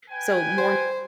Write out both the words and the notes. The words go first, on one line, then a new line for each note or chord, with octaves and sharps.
So, more
B4 G5 G#5
C5